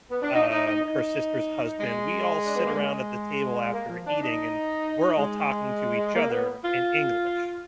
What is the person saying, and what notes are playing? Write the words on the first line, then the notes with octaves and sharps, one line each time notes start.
um, her sister's husband, we all sit around at the table after eating, and we're all talking to each other in English,
B3
D4
D#4
D#4
D#4
D#4
G#3
D4
B3
A#3
G#3
A#3
F3
D4
D#4
G#3
A#3
B3
F4